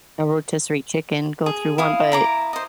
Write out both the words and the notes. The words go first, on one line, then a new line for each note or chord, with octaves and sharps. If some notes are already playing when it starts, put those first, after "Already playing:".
A rotisserie chicken go through one, but
G#4
E4 F5 D#6
E4 A#5 D6
C5 D#5